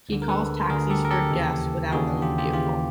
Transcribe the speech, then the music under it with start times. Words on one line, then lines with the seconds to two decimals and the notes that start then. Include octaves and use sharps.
He calls taxis for guests without own vehicle.
0.09 D2 D3
0.22 A#4
0.29 A4 B4
0.70 D2 D3 G#4 A#4
0.90 G4 A4
1.05 A#4
1.11 G4 A4
1.31 D#2 C#3 E3
1.92 D#2 C#3 E3 F#4 G#4
2.07 D4
2.22 F4 G4
2.38 F4 G4
2.53 D#2 C#3 E3 F4 G4